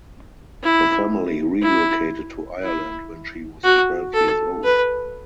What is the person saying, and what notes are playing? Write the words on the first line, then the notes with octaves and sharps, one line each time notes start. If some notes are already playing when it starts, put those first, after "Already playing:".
Her family relocated to Ireland when she was twelve years old.
E4
E4
E4
F#4
A4
B4